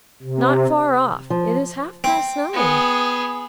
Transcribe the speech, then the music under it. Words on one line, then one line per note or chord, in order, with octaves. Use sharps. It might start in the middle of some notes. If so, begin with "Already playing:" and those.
'Not far off--it is half-past nine.
C3
F3
C4
B3 G#4